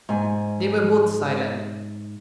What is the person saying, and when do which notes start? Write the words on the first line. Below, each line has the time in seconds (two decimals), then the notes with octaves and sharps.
They were both silent.
0.09 G#2 G#5